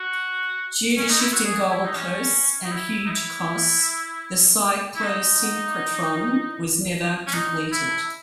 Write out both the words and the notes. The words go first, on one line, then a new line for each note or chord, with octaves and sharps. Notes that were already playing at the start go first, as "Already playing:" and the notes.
Due to shifting goalposts and huge costs the cyclo-synchrotron was never completed.
Already playing: F#4
C#4
D#4
E4
F#4
G#4
E4
D#4
C#4
D#4
E4
D#4
E4
E4
D#4
C#4
D#4
E4